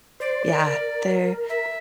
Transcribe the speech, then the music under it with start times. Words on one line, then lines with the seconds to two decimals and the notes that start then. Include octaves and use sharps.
yeah, they're
0.20 C5 D5
0.52 A#4
1.49 E5